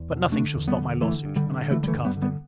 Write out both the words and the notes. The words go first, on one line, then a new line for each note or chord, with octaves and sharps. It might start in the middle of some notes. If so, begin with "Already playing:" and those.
But nothing shall stop my law-suit, and I hope to cast him.
Already playing: E2
B2
D3 A3 D4
E2
G3 B3
D3
D3 E3 A3
G2
D3 G3
D3
D3 E3 A3
G3
E3 A3
G2
G3 B3
D3
G3 B3